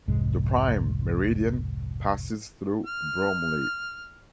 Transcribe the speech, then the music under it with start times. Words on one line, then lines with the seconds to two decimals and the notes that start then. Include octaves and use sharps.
The Prime Meridian passes through Bromley.
0.08 F1 C2 G#2 G#3
2.86 F6